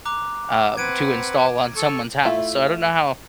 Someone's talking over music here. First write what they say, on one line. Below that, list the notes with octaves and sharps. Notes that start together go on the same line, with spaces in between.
um, to install on someone's house, so, I don't know how,
A#5 D6 F#6
C4 B4 F#5 G#6 D7 D#7
A4 C#6
A3 E4 F4